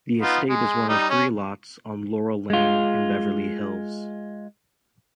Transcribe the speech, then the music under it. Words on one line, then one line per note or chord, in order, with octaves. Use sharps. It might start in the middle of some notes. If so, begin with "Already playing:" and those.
The estate is one of three lots on Laurel Lane in Beverly Hills.
B3 D#4 F4
G#3
G3 D#4 D#5
C#4
G#3 F4